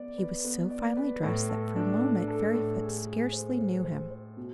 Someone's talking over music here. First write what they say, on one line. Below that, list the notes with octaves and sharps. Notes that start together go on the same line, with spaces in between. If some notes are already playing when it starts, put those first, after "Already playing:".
He was so finely dressed that, for a moment, Fairyfoot scarcely knew him.
Already playing: B3 D5
B4
B3
D5
B4
A2
A4
D4
D4
A4
A2
G#4
G#4
C5
C5
C5
C5
B2